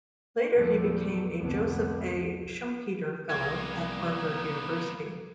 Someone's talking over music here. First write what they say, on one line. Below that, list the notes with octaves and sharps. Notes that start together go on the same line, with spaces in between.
Later he became a Joseph A. Schumpeter Fellow at Harvard University.
E2 A#2 F3 G3 A3
F1 C2 F2 D3 B3
C2 G3 A#3 B3 G#6